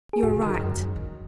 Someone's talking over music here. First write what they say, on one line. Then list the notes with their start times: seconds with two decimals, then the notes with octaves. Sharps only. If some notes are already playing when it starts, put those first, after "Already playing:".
You're right!
0.13 G#4
0.23 A2 F#4
0.33 C#3
0.41 D#3
0.54 E2
0.59 F#2
0.77 F#2
0.96 D#3